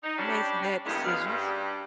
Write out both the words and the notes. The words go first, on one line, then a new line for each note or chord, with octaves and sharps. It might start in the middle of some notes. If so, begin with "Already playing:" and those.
Made some bad decisions.
D#4
G3 C#4 D4
E2 G2 D3 G#3 A#3 B3
F#2 A#2 G#3 G#4 F5
G2